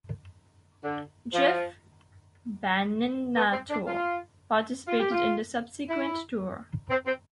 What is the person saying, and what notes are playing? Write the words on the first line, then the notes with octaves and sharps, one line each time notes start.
Jeff Beninato participated in the subsequent tour.
D3
F3
B3
C4
D4
F4
F4
G4
F4
E4
C4
C4